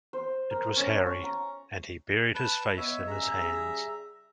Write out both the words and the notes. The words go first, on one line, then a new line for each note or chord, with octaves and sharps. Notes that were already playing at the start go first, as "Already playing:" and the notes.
It was Harry, and he buried his face in his hands.
C5
A#4
C#4
A5
C#6
A#5
B4 A5
B3 C#5 D#5 E5
C#3 G3 G#4 E5 A#5